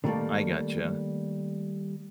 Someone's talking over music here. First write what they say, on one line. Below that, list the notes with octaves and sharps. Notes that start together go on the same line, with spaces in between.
I gotcha.
D3 D#3 F3 G3 A3 A#3